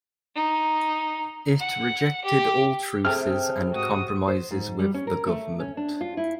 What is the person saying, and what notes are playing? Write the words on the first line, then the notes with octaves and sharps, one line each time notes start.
It rejected all truces and compromises with the government.
D#4
F#5
G4
C3 G#4 A4 G5 F6
G#2 F#4 D#6
C5
G#2
G3
C#4
A#4
A3
C#4
D4
F4
E4